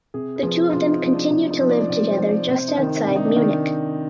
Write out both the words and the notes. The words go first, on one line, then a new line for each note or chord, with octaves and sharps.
The two of them continued to live together just outside Munich.
C3 G#4
B4
F3 G#4
C3 F4
D#4
F3
D4
C3 D#4
D#4
F3
D5
C3 D5
C5
F3
D5
C3 C5
D#4
D#3
D#4
C3 D4
D#4
D4
D#3